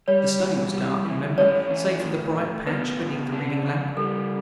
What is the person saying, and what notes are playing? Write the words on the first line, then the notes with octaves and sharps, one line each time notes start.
The study was dark, remember, save for the bright patch beneath the reading-lamp.
G3 C#5
E3
G3
E3
C#4 C#5
E3
A2
A2
B3 B4
C#3
D4
C#3
G3 A4